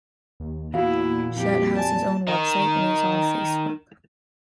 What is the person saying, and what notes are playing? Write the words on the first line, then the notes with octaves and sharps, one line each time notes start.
Chet has his own website, and is on Facebook.
D#2
E2 A#2 E4 F#4 F5
F2 G4
D5 G#5 A5
D#4 A#4